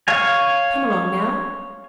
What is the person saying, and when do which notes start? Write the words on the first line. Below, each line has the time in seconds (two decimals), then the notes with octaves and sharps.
Come along, now.
0.08 C#5 F5 G#5